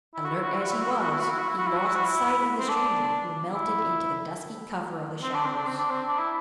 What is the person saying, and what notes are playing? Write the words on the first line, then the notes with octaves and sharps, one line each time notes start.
Alert as he was, he lost sight of the stranger who melted into the dusky cover of the shadows.
E4
F#4
E4
F#4
E4
F#4
E4
F#4
E4
F#4
E4
F#4
E4
F#4
E4
F#4
E4
F#4
E4
F#4
E4
C4
D4
E4
C4
D4
C4
D4
C4
D4
C4
D4
E4